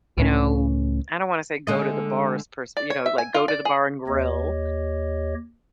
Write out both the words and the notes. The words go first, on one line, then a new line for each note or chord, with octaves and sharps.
you know, I don't wanna say go to the bars per se you know, like go to the bar and grill
C#2 A2 C#4
D3 G#3 D#5
D5
C#5
E5
G#5
F4
D5
G#4
D#2 G4 C#5 D#5